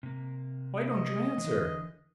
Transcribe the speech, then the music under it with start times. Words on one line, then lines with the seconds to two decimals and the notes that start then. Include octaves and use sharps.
Why don't you answer?
0.03 C3 A#3
0.89 D#5
1.38 D3 E3